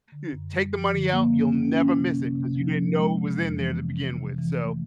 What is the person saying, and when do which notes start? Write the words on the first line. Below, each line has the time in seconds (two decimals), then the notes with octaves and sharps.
eh, take the money out, you'll never miss it, 'cause you didn't know it was in there to begin with. So,
0.12 D3
0.32 F#2
0.53 G3
0.73 F3
0.93 D3
1.13 A#3
1.33 D3
1.54 C#4
1.75 C#4
1.95 C3
2.15 C3
2.36 C3
2.56 F3
2.76 F3
2.97 G#3
3.17 C3
3.37 F2
3.57 E3
3.77 C3
3.98 C3
4.18 C3
4.38 E3
4.59 A3